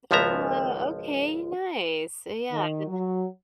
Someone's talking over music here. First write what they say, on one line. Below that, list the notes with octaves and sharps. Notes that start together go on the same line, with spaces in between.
Oh, okay. Nice. Yeah, d
G#1 C#2 F3 B3 E5 A#5
D#3
F#3